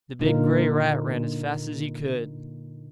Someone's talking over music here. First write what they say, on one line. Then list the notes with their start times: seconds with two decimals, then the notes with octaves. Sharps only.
The big grey rat ran as fast as he could.
0.19 A#2 D3 A#3 D#4 F4 A#4